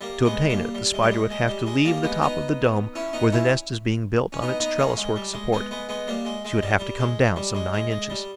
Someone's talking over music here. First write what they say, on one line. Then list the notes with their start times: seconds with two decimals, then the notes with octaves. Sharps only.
To obtain it, the Spider would have to leave the top of the dome, where the nest is being built on its trellis-work support; she would have to come down some nine inches.
0.01 G3 A#3
0.26 G#3 B3
0.50 G3 A#3
0.75 G3
0.94 G#3
1.03 G3
1.12 G#3
1.31 G#3
1.48 G3
1.66 G#3
1.85 G3 A#3
2.03 G#3 B3
2.22 B3 D#4
2.95 C#4 E4
3.13 B3 D#4
3.32 C#4 E4
4.32 C#4
4.42 B3 D#4
4.60 B3 D#4
4.78 A#3 C#4
4.97 G#3
5.16 G3
5.33 G#3
5.52 G#3 B3
5.71 G#3 B3
5.89 G#3 B3
6.07 G3 A#3
6.25 G#3
6.45 G#3
6.63 G3
6.80 G3
6.99 G#3
7.36 G3
7.55 G#3
7.73 G#3
7.91 G#3
8.10 G3